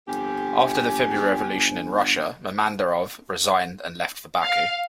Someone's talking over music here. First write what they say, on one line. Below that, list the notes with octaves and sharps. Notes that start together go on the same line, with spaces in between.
After the February Revolution in Russia Mehmandarov resigned and left for Baku.
G1 F2 G4 G#5
F5